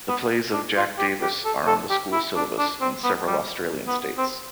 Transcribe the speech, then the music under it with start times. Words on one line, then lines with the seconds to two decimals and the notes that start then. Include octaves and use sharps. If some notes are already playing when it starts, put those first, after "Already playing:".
The plays of Jack Davis are on the school syllabus in several Australian states.
0.09 B3
0.53 D4
0.77 F4
0.99 G4
1.22 G4
1.45 A4
1.67 A4
1.90 G4
2.12 E4
2.36 D4
2.59 D4
2.81 C4
3.04 B3
3.27 G3
3.88 B3
4.18 C4